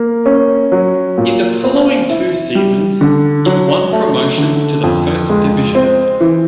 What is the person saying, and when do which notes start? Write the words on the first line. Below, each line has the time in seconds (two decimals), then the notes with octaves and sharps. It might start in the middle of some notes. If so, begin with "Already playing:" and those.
In the following two seasons, it won promotion to the first division.
Already playing: A#3
0.26 C#4
0.72 F#3
1.18 A#2
1.64 C4
2.10 E4
2.55 G3
3.01 D3
3.46 F#3
3.92 A3
4.38 D3
4.84 F2
5.30 G#3
5.75 C4
6.20 E3